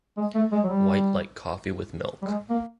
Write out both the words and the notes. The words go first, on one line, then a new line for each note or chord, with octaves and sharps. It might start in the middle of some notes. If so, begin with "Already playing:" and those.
White like coffee with milk!
G#3
A3
G#3
F#3
G3
G3
G#3
A#3